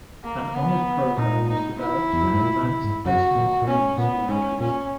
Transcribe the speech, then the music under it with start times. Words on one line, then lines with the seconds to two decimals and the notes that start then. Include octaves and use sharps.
An honors program was developed and Advanced Placement offerings were increased.
0.24 A#3
0.55 B3
1.17 A#2 D#4
1.49 D#4
1.80 E4
2.13 E2
2.23 F#2
2.32 G#2
2.42 A#2
2.63 B2
2.84 G#2
3.05 F#2 F#4
3.36 A#2
3.62 A#2
3.67 B2 C#4
3.98 A#2 B3
4.29 G#2 C#4
4.60 A#2 C#4